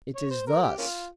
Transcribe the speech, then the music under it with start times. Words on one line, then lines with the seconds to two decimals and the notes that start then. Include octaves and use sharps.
"It is thus."
0.16 C#5
0.30 C5
0.47 A#4
0.62 G4
0.78 A#3 C#4 F4